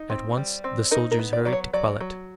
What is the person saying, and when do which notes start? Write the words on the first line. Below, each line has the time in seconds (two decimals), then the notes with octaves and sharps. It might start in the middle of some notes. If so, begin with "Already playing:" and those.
At once the soldiers hurried to quell it.
Already playing: D#4
0.10 C4
0.37 G3
0.64 C4
0.91 D#4 A#4
1.11 A#4
1.19 B3
1.33 D5
1.45 F#3 D5
1.53 C#5
1.73 F#3 D5
2.00 F#3